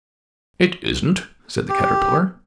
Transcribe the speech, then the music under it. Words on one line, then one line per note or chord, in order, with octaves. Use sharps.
'It isn't,' said the Caterpillar.
G4